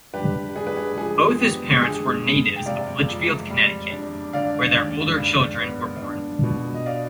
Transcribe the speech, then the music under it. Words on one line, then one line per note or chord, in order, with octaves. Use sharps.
Both his parents were natives of Litchfield, Connecticut, where their older children were born.
D4 G4 B4
D4 G#4
B4
G#4
F3 G#4
G#4
B3 G4
D3 G#4
G2
G5
C3 D5 F5
F2
G3
D4
D3 D5 F5
D#2
G2
B3
D4
B2
D#5
D5 F5